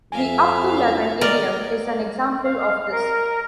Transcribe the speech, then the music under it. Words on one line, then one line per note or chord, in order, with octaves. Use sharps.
The "up to eleven" idiom is an example of this.
F2 E5 F5 G#5
A#4 D5 D#5
F5
A#4